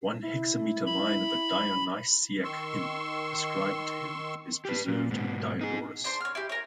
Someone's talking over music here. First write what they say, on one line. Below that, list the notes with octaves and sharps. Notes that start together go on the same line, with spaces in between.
One hexameter line of a Dionysiac hymn, ascribed to him, is preserved in Diodorus.
E4
B5
D#3 C6 C#6 E6
G4 B4
A#2
G#2 B2
D#4 G#4
D4 C5 C6
C#5 F6
E4 G4
A#4 C#5